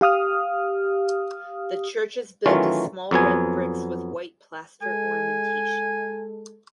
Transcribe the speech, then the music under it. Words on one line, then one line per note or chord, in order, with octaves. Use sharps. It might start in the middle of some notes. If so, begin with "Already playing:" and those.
The church is built of small red bricks with white plaster ornamentation.
G4 F5 D#6 F6
D#3 E3 F#3 A3 C#4 F4
F2 F#3 B3 G#5
G#3 A4 G#5